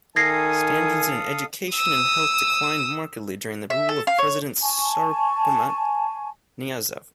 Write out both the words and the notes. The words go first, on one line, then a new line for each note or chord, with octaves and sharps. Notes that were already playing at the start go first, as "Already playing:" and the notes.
Standards in education and health declined markedly during the rule of President Saparmurat Niyazov.
D#3 A4 F5 G#5 D#6 G#6 A#6 C7
D#6 E6
E5
A4
F5
C#5
G#5 A5 C#6